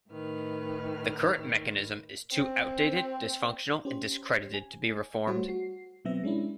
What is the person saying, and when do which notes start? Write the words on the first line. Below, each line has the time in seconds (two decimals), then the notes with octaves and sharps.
The current mechanism is too outdated, dysfunctional, and discredited to be reformed.
0.10 A2 D#3 B4 F6
2.33 C4
3.85 C#4 G4 C5
4.54 G#5
5.27 G3 A3 F#4 C5 C#5
5.48 F#4 C7
6.05 B2 F#3 B3 C4 E5 A#6
6.23 G#3 C#4 D4 E4